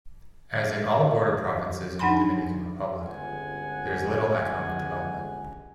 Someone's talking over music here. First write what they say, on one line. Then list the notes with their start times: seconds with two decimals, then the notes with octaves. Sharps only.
As in all border provinces in the Dominican Republic, there is little economic development.
1.99 D4 D#4 F#5 G#5 B5 C6
3.03 G1 C#2 G#3 F#5 G#5